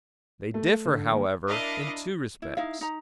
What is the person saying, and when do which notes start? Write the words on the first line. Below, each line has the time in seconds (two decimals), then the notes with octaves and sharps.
They differ, however, in two respects.
0.54 A3
0.86 D3
1.11 D#2
1.47 D4 E4 A#4 D#5 F5
2.42 E4
2.57 D#4 E4 E5 F5
2.81 D#4 A#5